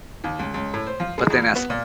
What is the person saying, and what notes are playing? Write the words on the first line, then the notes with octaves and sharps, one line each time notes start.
But then as
D#2
C#2
C#2
A2
C5
F3
G#3
E2
F4
B3
A#2